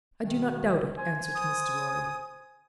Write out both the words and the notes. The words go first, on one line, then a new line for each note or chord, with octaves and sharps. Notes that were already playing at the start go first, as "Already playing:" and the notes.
"I do not doubt it," answered Mr. Lorry.
D#2 B2 D#3
C5 G#5
D#6